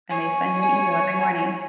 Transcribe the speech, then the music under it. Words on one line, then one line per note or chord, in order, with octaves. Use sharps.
and they send you an email every morning.
C#5 G#5